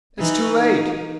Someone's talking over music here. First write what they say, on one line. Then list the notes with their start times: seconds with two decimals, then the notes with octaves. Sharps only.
"It's too late!"
0.19 E3 D#4
0.58 D#4